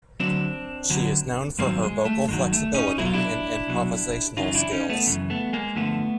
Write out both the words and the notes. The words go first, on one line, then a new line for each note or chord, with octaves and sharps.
She is known for her vocal flexibility and improvisational skills.
D2 D3 F#3 C4 D4
D2 D3 F#3
G2 D#3 F#3 A#3 C4
G#3
A3
G2 D#3 F#3 G#3
A3
C#4 D#4
C2 B2 F#3 E4
F4
D4 E4
C2 B2 F#3
F#2 C#3 E3 D#4 F4
D4 E4
C#4 D#4
A3 B3
F#2 C#3 E3
A3 B3
G#3 A#3
G2 D3 F3 A3 B3